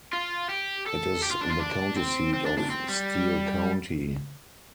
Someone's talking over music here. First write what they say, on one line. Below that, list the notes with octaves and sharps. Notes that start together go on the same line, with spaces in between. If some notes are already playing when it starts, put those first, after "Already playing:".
It is the county seat of Steele County.
F4
G4
A4
G4
F4
D4
F4
D4
C4
C4
D4
D4
C4
G3